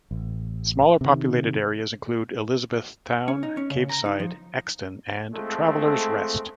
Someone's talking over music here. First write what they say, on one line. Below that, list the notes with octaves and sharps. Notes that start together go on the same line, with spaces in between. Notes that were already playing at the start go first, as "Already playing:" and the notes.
Smaller populated areas include Elizabeth Town, Caveside, Exton and Travellers Rest.
A1
C3 D#3
C#4
D#4
C#4
C#3
A#5
D#4
F3
G#3 A3 C4 F4 A4